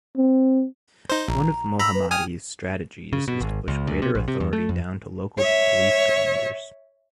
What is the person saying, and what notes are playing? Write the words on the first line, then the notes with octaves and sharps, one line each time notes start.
One of Mohammadi's strategies is to push greater authority down to local police commanders.
C4
D#4 C5
A#1 A#5
A#5 B5 E6
B4
G5 G#5 D#6 F6
C#3
B2
G#1
C#2
D2
C3
A#1
C3
E2
A3
F2
C#5 E5